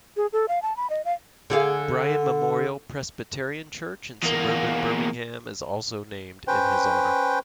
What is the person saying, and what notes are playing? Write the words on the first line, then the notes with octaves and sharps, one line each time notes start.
Bryan Memorial Presbyterian church in suburban Birmingham is also named in his honor.
G#4
A4
F5
A5
B5
D#5
F5
D3 G#4 F5
E2 A#3
C#4 B4 C5 G5